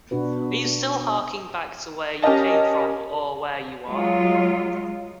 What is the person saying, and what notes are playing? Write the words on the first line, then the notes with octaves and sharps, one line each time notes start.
Are you still harking back to where you came from or where you are?
B2 D4 F#4 B4
C#4 G4 A#4 D#5 A5
F#3 G#3 F4